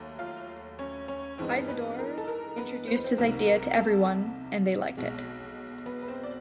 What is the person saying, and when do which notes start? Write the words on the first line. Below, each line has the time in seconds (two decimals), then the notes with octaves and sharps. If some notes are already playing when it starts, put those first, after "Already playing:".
Isidor introduced his idea to everyone, and they liked it.
Already playing: D#2 F#3 A3
0.19 F4 F5
0.79 C#4 C#5
1.08 C#4 C#5
1.38 G2 E3 G#3 B3 C4 D#4 C5
1.68 B3 B4
1.99 A#4
2.18 A4
2.28 A#4
2.58 B3 B4
2.88 C5
2.96 B4
3.04 C4 C5
3.18 C2 C3 D#3 G3 A#4
3.47 A#4
3.77 A4
4.97 B1 B2 G#3
5.86 B3 B4
6.02 B4
6.08 C4 C5
6.23 D5